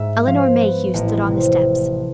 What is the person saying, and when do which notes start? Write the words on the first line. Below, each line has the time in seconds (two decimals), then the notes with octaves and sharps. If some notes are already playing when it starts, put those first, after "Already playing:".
Elinor Mayhew stood on the steps.
Already playing: G#2 E5
0.27 F3 F5
0.61 B3
0.94 A1
1.27 C3